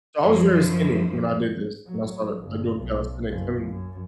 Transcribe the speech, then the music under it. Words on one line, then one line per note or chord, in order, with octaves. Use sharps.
So, I was very skinny when I did this, when I started, like, doing calisthenics I mean,
F#2 F3
F#3
G1
B1
F#1
F#2